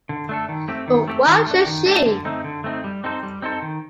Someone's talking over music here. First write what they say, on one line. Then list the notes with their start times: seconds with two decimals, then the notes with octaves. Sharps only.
But why should she?
0.09 D3
0.29 A3 D4 A4
0.49 D#3
0.68 A3 C4 G4
0.88 D#3
1.08 A3 C4 G4
1.27 D#3
1.47 A3 D4
1.66 D#3
1.86 A3 D4
2.06 D3
2.25 A3 C4 D#4
2.44 D3
2.64 A3 C4 D#4
2.84 G3
3.04 C4 D#4 A4 C5
3.23 G3
3.42 C4 D#4 A4 C5
3.62 D#3